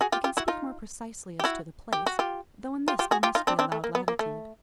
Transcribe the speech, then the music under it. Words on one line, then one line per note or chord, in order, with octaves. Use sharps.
I can speak more precisely as to the place; though in this I must be allowed latitude.
F#4 G#4
F4 G4
F4 G4
E4 F#4
D#4 F4
G4
E4 F#4
G4
F#4
F4 G4
F4 G4
F4 G4
F#4 G#4
F4 G4
D#4 F4
C4 D4
C4 D4
A3
A#3
B3
A#3
A3